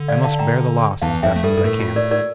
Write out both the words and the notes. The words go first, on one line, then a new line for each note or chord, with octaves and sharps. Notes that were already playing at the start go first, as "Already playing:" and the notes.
I must bear the loss as best as I can.'
Already playing: D3
D5 F5
F5 A5
G5 A#5
E2 E3 F5 A5
F2 F3 E5 G5
A3
G2 G3 A4
A4
A2 A3 A#4
F4
A#4 D5
A#4 D5